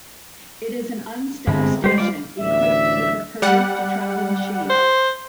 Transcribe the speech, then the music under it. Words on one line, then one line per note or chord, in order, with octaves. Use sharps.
It is an unstaffed station equipped with a permit to travel machine.
G2 D3 G#3 C4 B5
G3 G#3 G4 C5
F4 D5
A1 D2 D5 E5
G3 F#5
C5